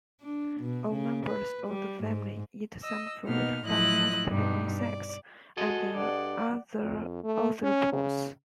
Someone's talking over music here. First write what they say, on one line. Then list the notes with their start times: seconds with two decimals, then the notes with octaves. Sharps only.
All members of the family eat some fruit but mostly insects and other arthropods.
0.21 D4
0.61 B2
0.92 C#3
1.27 B4
1.68 G3
2.04 G#2
2.80 D#5 E6
3.24 B2 A#3 B3 D#4 F6
3.65 A2 F3 F#3 E4 D#5 F#6
4.27 G2 B2 G3 D#4
4.78 D5
5.57 F#4 G#4 A4 D#5
5.95 G2 D5 F#5
6.83 F2
7.24 A3
7.63 C#4
7.92 C#3